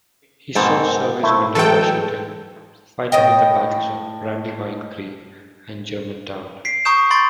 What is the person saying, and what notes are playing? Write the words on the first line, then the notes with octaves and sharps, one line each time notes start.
He saw service under Washington, fighting in the battles of Brandywine Creek and Germantown.
G#2 B2 A#3 C4 A4
A3 E4 C5
E3 F#3 G#3 A4 G5
A2 D#5 G5
B6 C7 D7
A#5 C#6 D#6 G6 E7
B5 C6 G6 A6 D7